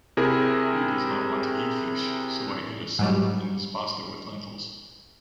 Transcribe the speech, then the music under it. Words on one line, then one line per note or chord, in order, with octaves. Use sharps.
He does not want to eat fish, so I hid a sole in his pasta with lentils.
C3 E4 G#4 A#4
G#2 F#3 G3